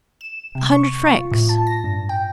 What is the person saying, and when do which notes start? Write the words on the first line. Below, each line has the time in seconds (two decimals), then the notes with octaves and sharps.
"A hundred francs."
0.21 E7
0.55 C3
0.69 C#6
1.07 F4
1.32 A2
1.49 A5
1.67 A#6
1.84 G2
2.09 G5